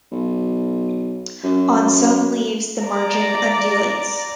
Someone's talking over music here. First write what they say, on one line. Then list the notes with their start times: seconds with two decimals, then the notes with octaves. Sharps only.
On some leaves the margin undulates.
0.11 B1
1.43 F#2
2.84 D5 A#5